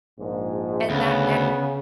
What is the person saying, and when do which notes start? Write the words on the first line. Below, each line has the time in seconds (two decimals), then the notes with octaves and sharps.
And that and
0.18 A#1 G#2
0.90 D2 C#3 B3